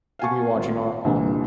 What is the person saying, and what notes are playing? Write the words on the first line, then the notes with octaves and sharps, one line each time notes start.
We could be watching our on
F5 F#5 G#5 A5 C#6
G#1 F4
C2 A#2 D3 E3